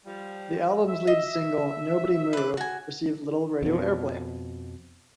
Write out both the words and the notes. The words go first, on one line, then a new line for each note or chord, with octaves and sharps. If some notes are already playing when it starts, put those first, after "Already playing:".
The album's lead single, "Nobody Move", received little radio airplay.
F3 G3
E5
D#5
B4 D6
F#4 G#5
F2 B2